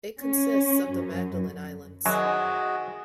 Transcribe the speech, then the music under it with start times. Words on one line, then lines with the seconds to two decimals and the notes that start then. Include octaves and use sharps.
It consists of the Magdalen Islands.
0.23 C#4
0.92 F#2
2.06 F#2 D#3 F#3 C4 F#4 G#4